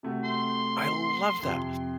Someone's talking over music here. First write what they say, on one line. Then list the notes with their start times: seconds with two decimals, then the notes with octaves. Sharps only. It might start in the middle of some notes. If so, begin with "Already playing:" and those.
I love that!
0.03 C3 A3 F#4
0.24 C6
1.43 F2 C3